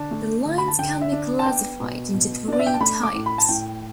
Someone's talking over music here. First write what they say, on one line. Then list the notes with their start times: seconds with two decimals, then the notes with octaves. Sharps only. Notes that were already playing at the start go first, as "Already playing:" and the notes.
The lines can be classified into three types.
Already playing: D3 D4 A5
0.11 A3
0.45 D3
0.58 B5
0.68 A5
0.79 D3 G5
1.02 E5
1.12 D4
1.39 A5
1.46 B3 G5
1.80 B2
2.14 B2
2.48 D4 D5
2.59 E5
2.66 G5
2.74 A5
2.81 A3 B5
3.03 D6
3.15 A2
3.26 B5
3.38 A5
3.49 A2 G5